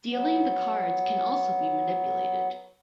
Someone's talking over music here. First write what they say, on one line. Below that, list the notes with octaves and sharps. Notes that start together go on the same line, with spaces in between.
Dealing the cards can also be manipulated.
F#3 B3